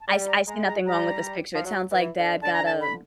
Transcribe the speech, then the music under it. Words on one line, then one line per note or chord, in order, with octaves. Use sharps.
I s I see nothing wrong with this picture. It sounds like dad got a
A5
G3 A#5
A#5
G#3 A#5
A#5
G3 A#5
F3
F#3
E3
D3
D3 A5
A#5
A5
B5